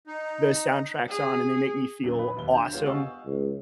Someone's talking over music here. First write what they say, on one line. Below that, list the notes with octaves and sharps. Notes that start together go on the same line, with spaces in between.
the soundtracks on, and they make me feel awesome.
D#4
G#4
F#2 A#2 D#3 F#3
B4 D#5 B5
D#2 E5 G7
D2 G6 E7
G#3 B3 F4 G4 C#5 F5
D#5 F5 F#5 G#5 C#6 E6
C#2